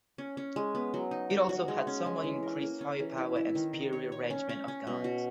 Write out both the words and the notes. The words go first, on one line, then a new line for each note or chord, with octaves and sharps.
It also had somewhat increased firepower and superior arrangement of guns.
C#4
C#4
G#3
B3
F#3
D#4
F#4
F#4
G#3
C#4
G#3
E3
A#4
A#3
C#4
E3
E4
E4
D#3
D#3
C#5
C#5
C#4
C#4
C#4
B2
F#4